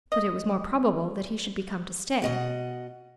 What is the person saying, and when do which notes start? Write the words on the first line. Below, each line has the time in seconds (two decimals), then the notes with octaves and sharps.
But it was more probable that he should be come to stay.
0.12 D#5
2.22 B2 D#5 F#5